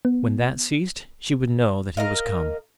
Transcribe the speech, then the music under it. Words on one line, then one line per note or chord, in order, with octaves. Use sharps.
When that ceased she would know that he was come.
B3
A#4 D#5 F5